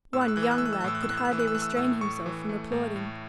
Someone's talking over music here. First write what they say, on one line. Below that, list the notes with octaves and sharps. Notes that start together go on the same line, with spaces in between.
One young lad could hardly restrain himself from applauding.
A2 E6
F#6
E6
E3 F#6
E6
F#6
A3 E6
F#6
E6
F#6
A2 E6
F#6
E6
A2 F#6
E6
F#6
E3 E6
F#6
E6
A3 F#6
E6
F#6
A2 E6
A2 C#6
E3
A3
A2
A2